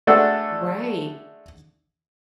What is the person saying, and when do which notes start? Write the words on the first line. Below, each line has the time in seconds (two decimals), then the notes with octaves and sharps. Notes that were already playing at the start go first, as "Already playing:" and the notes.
Right. Ye
0.07 G#3 A3 D4 F#4 A4